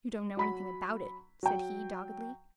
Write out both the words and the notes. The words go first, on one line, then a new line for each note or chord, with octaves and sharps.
"You don't know anything about it," said he doggedly.
F#3 B5 B6
F#3 G5